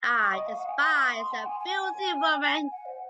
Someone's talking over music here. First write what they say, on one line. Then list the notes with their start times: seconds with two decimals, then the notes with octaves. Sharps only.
I despise that filthy woman.
0.06 D#6
0.19 C#6
0.33 D#5
0.47 F5
0.58 F#5
0.68 G#5
0.79 C6
0.89 D#6
1.03 C#6
1.17 C6
1.31 F#5
1.45 G#5
1.59 G#5
2.71 F#5
2.85 C5